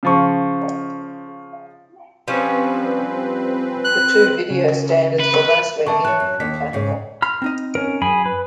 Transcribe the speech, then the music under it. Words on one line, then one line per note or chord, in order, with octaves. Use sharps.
The two video standards were mostly incompatible.
C#3 F3 C#6
F3 G3 C4 C#4 B4
F#6
C#3
B4
D3 E5 A5 C#6
C#5 A5 F#6
F#2
D#2 B6
G#2 C#3
B5 C6 F6
C4 D#4 D#5
C#4 A#4
F#2 G#4 G#5 B5
B4